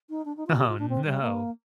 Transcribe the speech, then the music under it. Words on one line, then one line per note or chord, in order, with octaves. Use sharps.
Oh, no.
D#4
D4
D#4
F4
G4
F4
D4
C4
G3
A#3